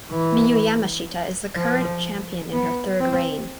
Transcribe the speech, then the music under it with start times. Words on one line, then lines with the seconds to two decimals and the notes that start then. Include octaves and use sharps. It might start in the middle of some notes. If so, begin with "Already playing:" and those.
Miyu Yamashita is the current champion in her third reign.
0.11 E3
1.57 F3
2.53 B3
3.00 C4